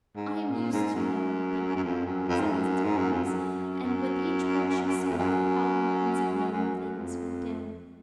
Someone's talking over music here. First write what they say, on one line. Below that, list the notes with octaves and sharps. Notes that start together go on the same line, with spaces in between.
"I am used to young people," said Mrs. Wilcox, and with each word she spoke the outlines of known things grew dim.
G#2
A#2
G#2
F#2
F#2
F2
F#2
F2
G#2
F#2
G#2
F#2
F2
F#2
F#2
F2
F#2
F#2
F#2
F2